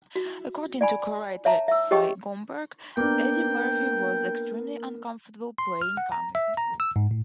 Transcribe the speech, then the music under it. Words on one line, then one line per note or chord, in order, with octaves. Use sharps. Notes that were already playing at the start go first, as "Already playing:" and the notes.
According to co-writer Sy Gomberg, Audie Murphy was extremely uncomfortable playing comedy.
F#4
D5 G#5 B5
C#5 E5 A5 A#5
E5 E6
G4 G#4 C#5 D#5 G5 C#6
A#3 B3 D4 G5
C6
F6
F#5
A#5
E5
A#5
E6
G#2
A2